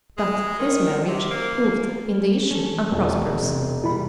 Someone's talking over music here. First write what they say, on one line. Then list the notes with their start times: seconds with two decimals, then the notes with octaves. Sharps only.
But this marriage proved in the issue unprosperous.
0.17 G#3
0.59 D#3
1.08 C3
1.31 A#3
2.51 C#4 A4
2.91 E1
3.43 C3
3.84 B2 E3 G3 E4 B5